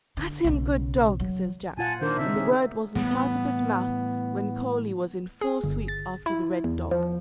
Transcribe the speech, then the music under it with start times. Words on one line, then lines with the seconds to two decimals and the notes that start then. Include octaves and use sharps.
"At him, good dog!" says Jack, and the word wasn't out of his mouth when Coley was in full sweep after the Red Dog.
0.17 D3
0.44 B1 C#3
1.20 F#3
1.77 A#2 F4 F#5 G#5 A5
2.01 D#3 A#3 D4 A#4 C5
2.18 C#3 C4 D#4 E5
2.35 C4 G#4 C#5
2.95 A2 E3 G3 B3
5.41 G#4
5.64 G1
5.88 A6
6.26 E4
6.64 E2
6.91 F3